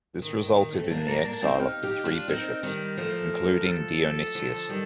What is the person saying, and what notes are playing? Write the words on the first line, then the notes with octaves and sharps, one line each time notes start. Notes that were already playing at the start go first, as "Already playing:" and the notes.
This resulted in the exile of the three bishops, including Dionysius.
D#3
D#3
D#3
A3 C4
C4
A#3 D4 A5
A#3 D4 A#5
A#3 D4 A5
C4 D#4 G5
D#4 G4 F5
D#4 G4
D4 F4
C4 D#4 A#4
D#3 G3
F3 A3
A4
D3 F3
D#3 G3